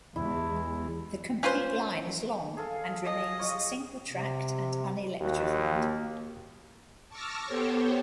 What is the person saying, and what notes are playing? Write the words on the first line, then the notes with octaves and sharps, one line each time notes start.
The complete line is long, and remains single-tracked and unelectrified.
E2 G#3 E4
C#4 F4 B4 C5
G#4 A4 F5
G#4 D#5
F4 C#5
C3
D#2 F#4
A#3
A5 C#6 D6 E6 F6 A#6
B3 G4 A4 C5 C#5